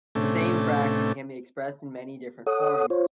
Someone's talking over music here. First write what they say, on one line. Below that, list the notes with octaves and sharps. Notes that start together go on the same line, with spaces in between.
The same fraction can be expressed in many different forms.
A2 C3 A3 C#4 D4
A4 C#5 F#5 D#6
F4 C5 C#5